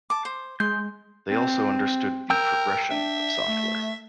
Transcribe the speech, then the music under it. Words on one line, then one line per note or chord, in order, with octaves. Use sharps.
They also understood the "progression" of software.
A5 D6
C5
G#3 C6 G6
C4
A#4 G5 E6 G6
D4 E5
A3